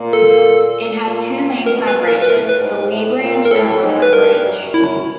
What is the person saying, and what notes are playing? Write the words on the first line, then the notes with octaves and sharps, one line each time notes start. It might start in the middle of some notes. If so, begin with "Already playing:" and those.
It has two main side-branches, the Leigh Branch and the Rufford Branch.
Already playing: A#2
A4
A#2
B2 A#4
B4
A#2
A#4
B4
A2 A#4
B4
G#2
A2
A#2
A#4
A2 A4
G#2
B4
G2 A#4
F#2
F#2 E4